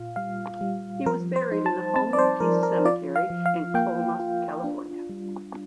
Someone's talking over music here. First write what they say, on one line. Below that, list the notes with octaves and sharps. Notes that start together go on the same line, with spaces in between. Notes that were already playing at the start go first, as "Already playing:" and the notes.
He was buried in the Home of Peace Cemetery in Colma, California.
Already playing: A#2 F4 F5
G3 F5
G3
F3 A#4
C5
D#4
A5
C4 A5
D5
C5
F3 A#4
A#4
F4 D5
F5
F3
F5
A#3 G5
F4
D4
G3